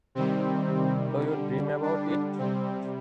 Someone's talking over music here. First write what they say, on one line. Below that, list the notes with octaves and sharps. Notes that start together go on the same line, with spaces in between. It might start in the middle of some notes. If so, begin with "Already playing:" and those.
Do you dream about it?
C3 D#3 G3 C4
D3 G3
D4
C3 G3 C4